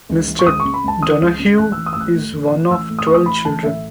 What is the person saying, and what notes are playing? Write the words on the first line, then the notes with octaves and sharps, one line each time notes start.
Mr. Donahue is one of twelve children.
C#2
E3
C#6
C#2 D#6
C#6
C#3
B5
C#2 A5
E3 D#6
C#2
C#3
A1 F#6
E6
E3
D#6
A1 E6
F#6
A2
A1
E3
A1 E6
A2
D#6
A1 C#6
D#6
E3 B5
A1 A5
A2 E5